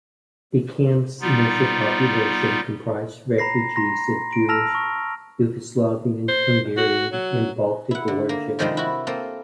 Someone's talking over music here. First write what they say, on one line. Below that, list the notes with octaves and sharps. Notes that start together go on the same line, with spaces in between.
The camp's initial population comprised refugees of Jewish, Yugoslavian, Hungarian, and Baltic origin.
G3 B3 D#4 F4
A#5 B5 A#6 C7
A#5 C6 A#6
D7
A5 E6 F6 A#6 F7
C#6
C5
F#4
F#3
E4 F#5
D3
A#3
C3 D#3 F3 G3 G#3 C4
E4 F#4
A#3 C4 A4